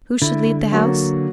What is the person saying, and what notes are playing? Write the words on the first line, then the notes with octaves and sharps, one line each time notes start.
Who should lead the House?
D3 E4
F#3 A#3 F#4